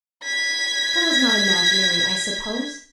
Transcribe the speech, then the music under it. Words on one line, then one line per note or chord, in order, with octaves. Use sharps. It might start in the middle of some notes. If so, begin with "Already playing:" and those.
"That was not imaginary, I suppose!"
G#6 B6